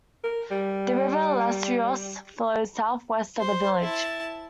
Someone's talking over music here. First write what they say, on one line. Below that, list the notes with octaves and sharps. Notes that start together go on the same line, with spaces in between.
The river Larissos flows southwest of the village.
A#4
G3
C5
E4 A5